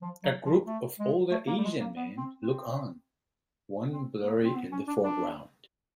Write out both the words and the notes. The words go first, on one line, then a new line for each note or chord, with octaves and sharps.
A group of older Asian men look on, one blurry in the foreground.
F3
F#3
F3
A3
G#3
A3
A#3
G3
G#3
A#3
B3
C4
C4
B3
C4
A#3
C4
B3
C#4
D4
D4